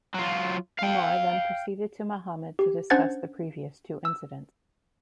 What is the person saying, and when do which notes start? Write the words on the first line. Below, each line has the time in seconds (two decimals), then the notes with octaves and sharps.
Umar then preceded to Muhammad to discuss the previous two incidents.
0.14 F#3 F4
0.79 F5 G5
2.59 G4
2.90 C#4 D4 C5 F#5 G#6 A6
4.05 E6